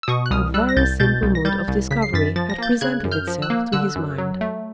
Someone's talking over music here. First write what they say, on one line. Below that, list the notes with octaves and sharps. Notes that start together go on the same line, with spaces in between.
A very simple mode of discovery had presented itself to his mind.
E6
B2 C#6 D#6
F#6
C2 D#6 F6
G3 E6 F#6
A#6
C2 G6 A6
B2 G6 A6
C2
A#6
G3 G6 A6
C2
C#3 B6
C7
F#2 A6 B6
F3 A6
A#6
A#3 G6 A6
C#3 F#6 G#6
F#2
F6 G6
F3
E6 F#6
A#3
D3 E6 F#6
F#2
F#3
A3